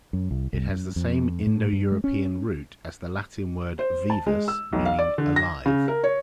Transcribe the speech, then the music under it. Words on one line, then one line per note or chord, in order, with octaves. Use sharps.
It has the same Indo-European root as the Latin word "vivus", meaning "alive".
F#2
C2
C2
F#2
F2
A2
G2
G#3
C#4
C5
A5
G#3
E6
B1
F5
D5
D3
A#6
C#3
A#4
C#5